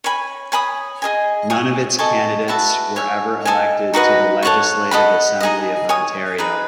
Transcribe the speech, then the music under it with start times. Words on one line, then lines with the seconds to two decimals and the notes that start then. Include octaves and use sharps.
None of its candidates were ever elected to the Legislative Assembly of Ontario.
0.04 C#5 G#5 B5
0.52 C#5 G#5 B5 D#6
1.02 G#4 D#5 G#5
1.50 C#5 G#5 D#6
1.99 A4 D#5 G#5 C#6
2.48 F#4 B4 E5 A5
2.96 C#5 E5 G#5
3.45 A4 D#5 G#5
3.94 D#4 F#4 B4 D#5
4.43 A4 C#5 F#5 C#6
4.91 A4 D#5 F#5 B5
5.41 D#4 G#4 D#5
5.89 C#5 G#5 D#6
6.38 D#4 G#4 B4